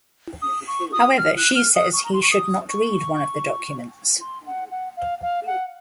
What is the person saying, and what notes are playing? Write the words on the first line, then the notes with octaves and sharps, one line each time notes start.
However she says he should not read one of the documents.
D#6
C#6
D#6
F6
F#6
F6
D#6
C#6
A#5
C6
C#6
D#6
C#6
C6
F#5
F#5
F5
F5
F#5